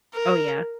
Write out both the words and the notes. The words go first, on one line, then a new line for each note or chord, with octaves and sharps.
Oh, yeah.
A#4